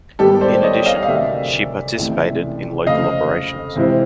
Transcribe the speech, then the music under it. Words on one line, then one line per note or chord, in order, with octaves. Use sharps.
In addition, she participated in local operations.
G#2 D#3 G3 B3 G4 A4
C5 D5
C#5 D#5
D#5 F5
F5
D2 C3 D#3 F#3 D5 E5
C#2 C3 E3 A3
F2 C#3 F#3 A3 C4 D#5 F5
C3 E3 G#3 C4 E4